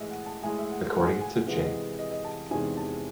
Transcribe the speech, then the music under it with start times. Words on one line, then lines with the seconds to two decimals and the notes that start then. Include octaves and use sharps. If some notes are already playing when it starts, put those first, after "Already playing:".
According to J.
Already playing: A2 E3 G#3 D#5 E5
0.09 F#5
0.26 A5
0.43 A2 G#3 G#5
0.59 E5
0.69 F#5
0.95 F#5
1.03 G#5
1.10 F#5
1.21 G#5
1.47 C3 E3 G#3 F#5
1.64 D#5
1.99 D#5
2.11 D#5
2.24 A5
2.50 E2 C3 D#3 G#3 G#5
2.77 A5